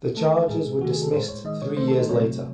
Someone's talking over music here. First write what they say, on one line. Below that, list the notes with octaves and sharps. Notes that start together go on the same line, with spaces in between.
The charges were dismissed three years later.
D#3 A3 A4
A2 G#3 G#4
C3 D#3 A3 F#4
G#4
A4
A2 G#3 C5
C#5
D#3 G#3 D#5
C#5
D#3 A3 C5
A4
D#4
C3 F#3 A3 C#5